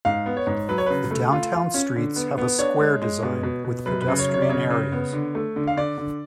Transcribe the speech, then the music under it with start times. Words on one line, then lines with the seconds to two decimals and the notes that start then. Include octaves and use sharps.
The downtown streets have a square design, with pedestrian areas.
0.05 G#2 F5
0.26 B3
0.37 C#5
0.47 G#2
0.69 F#3 B4
0.78 C#5
0.86 C#3 B4
1.11 A3
1.32 F4
1.54 F4
1.74 C#4
1.96 D3
2.16 B3
2.38 B3
2.59 D4 C#5
2.80 G#3
3.02 G#3
3.23 B2
3.43 B2
3.64 B2
3.86 F#2 B4
4.02 B4
4.08 C#3
4.19 C#5
4.29 F#2
4.34 C#5
4.42 D5
4.49 C#3 C#5
4.70 C#3
4.92 B3
5.13 D3
5.35 A3
5.56 D3
5.67 F5
5.77 D3 D5
5.98 D3